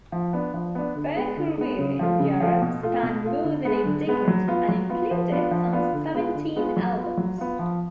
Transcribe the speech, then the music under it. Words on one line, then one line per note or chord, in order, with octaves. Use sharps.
Their career in Europe spanned more than a decade and included some seventeen albums.
F3
B3 D4
F3
B3 D4
D3
G#3 B3
D3
G#3 B3
C#3
F3 A3 F4
C#3
F3 A3 F4
B2
A3 F4
B2
A3 F4
D3
G#3 B3
D3
G#3 B3
F#3
B3 F4
F#3
B3 F4
F3
B3 D4 F4
F3
B3 D4 F4
D3
G#3 B3 F4
D3
G#3 B3 F4
F#3
B3 F4
F#3
B3 F4
F3